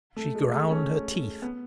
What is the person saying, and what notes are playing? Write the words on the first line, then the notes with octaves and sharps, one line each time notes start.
She ground her teeth.
A3
G#3
A3
C#4
B3